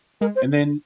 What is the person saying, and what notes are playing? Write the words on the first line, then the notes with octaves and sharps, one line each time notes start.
And then
G#3 A#4
C5